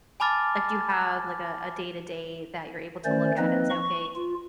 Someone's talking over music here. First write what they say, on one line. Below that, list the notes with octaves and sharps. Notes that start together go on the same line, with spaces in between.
like, do you have, like, a a day-to-day that you're able to look at and say, "Okay,
G#5 A5 B5 D6 F6 A6
D#3 A3 C#4 C5 D5
F3 A#3 C4 D#4 B4 D#5
C#6
F4